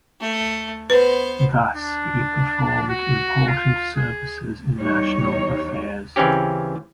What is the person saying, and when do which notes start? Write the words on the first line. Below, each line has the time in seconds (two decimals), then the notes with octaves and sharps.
Thus he performed important services in national affairs.
0.21 A3
0.90 B3 B4 C5
1.76 D4
2.88 F#4
3.47 F4
3.95 G#4
4.76 E2 G3 D#4 C#5
6.16 C#3 E3 C4 C#4 G4